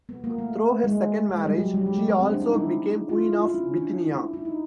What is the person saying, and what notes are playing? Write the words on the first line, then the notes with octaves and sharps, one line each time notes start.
Through her second marriage, she also became Queen of Bithynia.
B3
A#3
A3
G#3
G#3
G3
F#3
G3
G#3
A3
B3
C4
D4
D#4
E4
F4
E4
F4
E4
C#4
D4
E4
E4
D#4